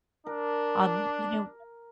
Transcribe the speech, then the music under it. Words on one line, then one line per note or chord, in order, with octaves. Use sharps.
Um, you know
D4 A#4